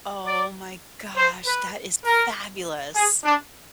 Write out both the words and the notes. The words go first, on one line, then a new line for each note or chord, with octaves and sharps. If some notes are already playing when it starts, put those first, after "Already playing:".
Oh my gosh, that is fabulous!
D5
C5
B4
A#4
G#4
D4